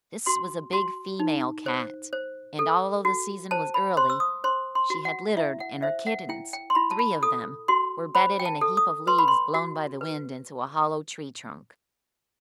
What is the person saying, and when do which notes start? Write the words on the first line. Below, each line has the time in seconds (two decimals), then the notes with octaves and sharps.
This was a big female cat, and, although the season was early, she had littered and her kittens, three of them, were bedded in a heap of leaves blown by the wind into a hollow tree trunk.
0.26 F#4 C6
0.72 F#4 C6
1.19 D#4
1.66 C5
2.13 C5
2.59 A4
3.05 F#4
3.51 C5 A5
3.74 B5
3.97 C5 C6
4.10 E6
4.20 D#6
4.44 C5 C6
4.75 C6
4.90 F#4
5.05 F#5
5.37 E4 E5
5.60 F#5
5.82 C5 E5
6.07 F#5
6.29 E4 G5
6.53 G5
6.70 C6
6.75 E4 B5
6.91 A5
6.99 B5
7.23 A4 D#6
7.68 F#4 C6
8.15 C5 B5
8.39 G5
8.45 A5
8.61 A4
8.77 D#6
9.07 B4 C6
9.18 B5
9.28 C6
9.54 F#4
10.01 B4